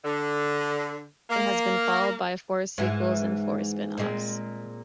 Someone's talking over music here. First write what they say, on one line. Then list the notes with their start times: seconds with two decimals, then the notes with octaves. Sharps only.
It has been followed by four sequels and four spin-offs.
0.05 D3
1.30 A#3
2.78 G#2 E3
3.98 A#2 G#3 C4